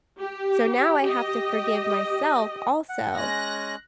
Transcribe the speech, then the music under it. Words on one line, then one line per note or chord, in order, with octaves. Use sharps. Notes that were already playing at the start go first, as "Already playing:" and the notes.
So now I have to forgive myself also,
G4
G4 D#5
F#5
G#3 C#4 G#5 F#6 A#6